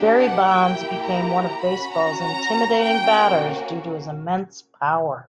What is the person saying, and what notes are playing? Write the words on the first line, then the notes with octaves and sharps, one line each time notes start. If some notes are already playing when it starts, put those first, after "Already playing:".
Barry Bonds became one of baseball's intimidating batters due to his immense power.
Already playing: A#3 D4 G4
F#5
A#3 E4 G4 G5
A#5
C#4 F#4 B5
A#5
A#5
A#3 C#4 F#4 G5